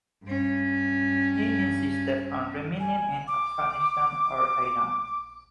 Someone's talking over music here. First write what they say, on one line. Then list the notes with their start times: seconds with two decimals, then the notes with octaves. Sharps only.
He insisted on remaining in Afghanistan or Iran.
0.24 G2 C#4
2.80 G#5
3.27 D6